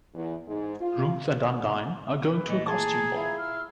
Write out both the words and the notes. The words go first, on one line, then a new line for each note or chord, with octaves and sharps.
Ruth and Undine are going to a costume ball.
E2
G#2
F4
B4
A#2 E3 A3 D#5
G#4 A5 A#5 G#6
E4 F4
E6 F6